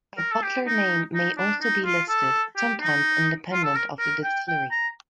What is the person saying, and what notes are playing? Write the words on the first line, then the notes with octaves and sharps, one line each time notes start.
A bottler name may also be listed, sometimes independent of the distillery.
A#4
A4
G4
D#4
D#4
D4
D#4
F4
A4
G4
D#4
F4
A4
A#4
A#4
G5
G5
A#5